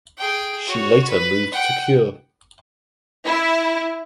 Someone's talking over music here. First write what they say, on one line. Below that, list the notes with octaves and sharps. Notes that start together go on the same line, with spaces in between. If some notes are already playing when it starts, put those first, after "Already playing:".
She later moved to Kure.
G#4 G5
F#4 C#5
B4
F#5 G5
E4